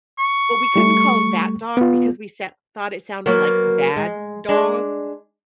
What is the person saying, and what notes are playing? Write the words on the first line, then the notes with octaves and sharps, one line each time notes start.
but we couldn't call him Bat Dog because we set thought it sounded like "bad dog."
C#6
G3 A3
B3 F4
F#3 A#3 B3
G#3
G#3 D4